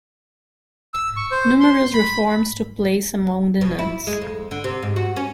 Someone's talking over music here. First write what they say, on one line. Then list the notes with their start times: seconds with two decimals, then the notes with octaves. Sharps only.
Numerous reforms took place among the nuns.
0.94 E6
1.16 C#6
1.31 C5
1.60 C6
1.94 B5
3.61 B2
3.79 E4
4.07 G#3
4.21 F2
4.51 D3
4.64 C3
4.82 G#2
4.96 F#4
5.16 C#4